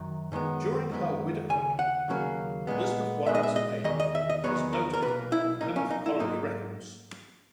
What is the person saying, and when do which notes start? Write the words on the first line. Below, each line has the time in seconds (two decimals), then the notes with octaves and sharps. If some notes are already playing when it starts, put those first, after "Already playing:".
During her widowhood, Elizabeth Warren's name is noted in Plymouth Colony records.
Already playing: F#2 D#3 F#3
0.32 F#2 D#3 G#3 B3
0.91 F#2 D#3 G#3 B3
1.49 D#2 C#3 G#5
1.79 F#5
2.08 D#2 C#3 F#3 A#3
2.67 A#2 G#3 B3
3.26 A#2 G#3 B3 E5
3.35 D#5
3.43 E5
3.56 D#5
3.84 E2 D#3 D#5
4.00 D#5
4.15 E5
4.29 D#5
4.44 E2 D#3 F#3 B3 C#5
4.73 A#4
4.93 A#4
5.02 B1 B2 A#3 B4
5.32 E4
5.61 B1 B2 A#3 D#4
5.76 C#4
5.90 D#4
6.06 E4
6.19 G#2 F#3 A#3 D#4